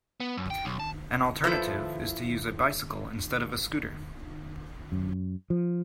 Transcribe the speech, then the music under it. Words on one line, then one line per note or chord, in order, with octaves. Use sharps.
An alternative is to use a bicycle instead of a scooter.
B3
F#2
G5
B1
A5
F3 E4 A4 B4 G6
F#2
F3